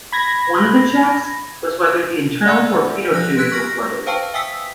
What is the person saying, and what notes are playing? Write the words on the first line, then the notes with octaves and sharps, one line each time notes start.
One of the checks was whether the internal torpedo tubes were flooded.
B5 G#6 A#6
D5 E5 F#5 G#5 B5 E6
F3 F#6 A#6
G4 B4 F#6 G#6 B6 D7
C#6 F6 A#6
B4 C5 F5 G5 A5 C#6
E5 G5 G#5 D#6 E6 B6